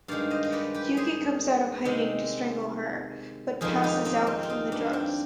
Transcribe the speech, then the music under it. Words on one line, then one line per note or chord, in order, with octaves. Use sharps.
Hughie comes out of hiding to strangle her, but passes out from the drugs.
G2 D#3 G#3 D5 F5
C5 D#5
D#5
B4 D5
G4 B4
G#4 C5
C3 D#3 G#3
F2 D#3 G#3 F4 G#4
D#4 G4
C4 D#4
C4
F4
C4 D#4
B3 D4
C4